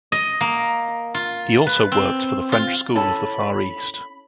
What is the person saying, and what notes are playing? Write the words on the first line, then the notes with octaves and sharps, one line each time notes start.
He also worked for the French School of the Far East.
D#5
A#3
F4
B4
C4
F4
C#4 E4 A4 A5 B5